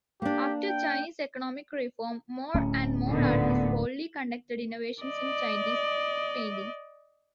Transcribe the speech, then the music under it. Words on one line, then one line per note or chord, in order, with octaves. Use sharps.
After Chinese economic reform, more and more artists boldly conducted innovations in Chinese Painting.
A#3 D4 G4
G5
D1 A2 C#4
A#2 D3 B3
D5 D#5